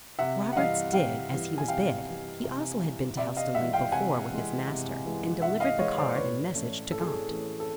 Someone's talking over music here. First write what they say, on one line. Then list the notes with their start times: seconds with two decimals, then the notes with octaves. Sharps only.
Roberts did as he was bid--he also had been to Helstonleigh before with his master--and delivered the card and message to Gaunt.
0.19 C3 E5 F#5
0.53 F#5
0.56 E3 G3 D#5 F5
0.93 C3 F5 G5
1.31 E3 G3
1.58 G#5
1.68 C3 F5 G5
2.06 E3 G3
2.44 C3
2.81 E3 G3
3.17 C3 D5 E5
3.37 D#5 F5
3.55 E3 G#3 E5 F#5
3.73 F5 G5
3.92 C3 F#5 G#5
4.30 E3 G#3
4.68 C3
5.05 E3 G#3
5.42 C3 E5 F#5
5.60 D#5 F5
5.79 E3 G#3 C#5 D#5
5.98 C5 D5
6.16 A2 B4 C#5
6.54 E3 A3 C#4
6.91 A2 A4
7.00 G#4
7.07 A4
7.28 E3 A3 C#4
7.60 A4